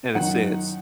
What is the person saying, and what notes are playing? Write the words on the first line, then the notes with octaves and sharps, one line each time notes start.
in a sense.
F#2 D#3 F#5